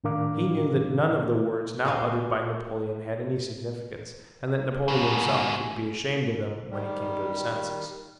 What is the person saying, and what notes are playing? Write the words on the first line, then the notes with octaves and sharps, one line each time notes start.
He knew that none of the words now uttered by Napoleon had any significance, and that Napoleon himself would be ashamed of them when he came to his senses.
A2 D#3 D4 A#4 F5 D6
A#2 F#4 G4 F5 G#5
G#2 B2
D#3 G3